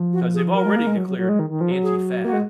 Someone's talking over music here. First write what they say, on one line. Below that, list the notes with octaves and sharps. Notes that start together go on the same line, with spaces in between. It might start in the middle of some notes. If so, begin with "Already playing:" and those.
'Cause they've already declared Antifa,
Already playing: F3
F#4
G#4
F#3 A#4
G#3
A#3
G#3
F#3
F#3
F#3
G#3
D#3
D#3
F3
F#3
G#4
A#3 F#4
G#3